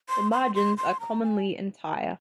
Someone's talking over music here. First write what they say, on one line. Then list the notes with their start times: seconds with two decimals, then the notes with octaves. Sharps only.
The margins are commonly entire.
0.09 C6
0.32 C6
0.55 C6
0.77 C6
1.00 A#5
1.23 G#5